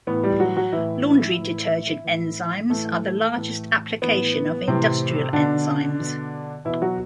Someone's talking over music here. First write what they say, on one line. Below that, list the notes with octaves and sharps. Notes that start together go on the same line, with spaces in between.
Laundry detergent enzymes are the largest application of industrial enzymes.
A2 E3 B3
G3 G4
F#3 F#4
F#3 F#4
A2 E3 E4
A2 E3
A2 E3
A2 E3 A3
A2 E3
A2 E3 B3
A2 C3 E3 C4
B2 D3 D4
B2
B2 E3 E4
F#3 F#4